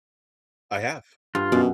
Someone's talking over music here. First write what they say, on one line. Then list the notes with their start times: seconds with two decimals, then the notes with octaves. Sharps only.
I have.
1.35 G2 F4
1.52 F#2 B2